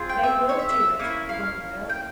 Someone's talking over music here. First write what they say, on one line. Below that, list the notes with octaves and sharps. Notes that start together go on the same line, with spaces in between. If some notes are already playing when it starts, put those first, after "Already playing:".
They will do it--the women will.
Already playing: C4 F4 G#4
G5
E5
C#5
E5
E5
A#3 C#4 E4
F5
G5